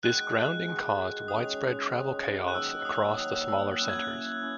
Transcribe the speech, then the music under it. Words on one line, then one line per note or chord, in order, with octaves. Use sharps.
This grounding caused widespread travel chaos across the smaller centres.
D#3 G#3 D#4 F#4 F#6
D#3 G#3 D#4 F#4
D#3 G#3 C#4 D#6
D#3 G#3 C#4
F#6
D#3 F#3 A#3 E6
D#6
D#3 F#3 A#3 D#6
E6
F#3 A#3 C#4 E4 F#6
G#6
F#6
C#4 E4